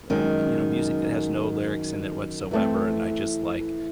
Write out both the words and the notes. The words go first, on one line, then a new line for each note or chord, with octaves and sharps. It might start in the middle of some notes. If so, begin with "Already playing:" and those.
um, you know, music that has no lyrics in it whatsoever, and I just, like,
F#2 D#3 G#3
E3 A3 C4